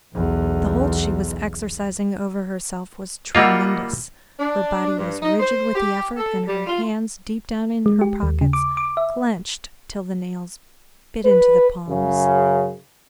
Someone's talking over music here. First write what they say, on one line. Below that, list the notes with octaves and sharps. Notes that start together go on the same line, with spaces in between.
The hold she was exercising over herself was tremendous, her body was rigid with the effort, and her hands deep down in her pockets clenched till the nails bit into the palms.
B1 E2
G3 A#3 F4 D#5 F#5 E6
D4
G2
D#4
C5
G4
A4
G3
F4
G#3
G4
D#2
C#3
D6
D6
E5
B4
F#2 C#3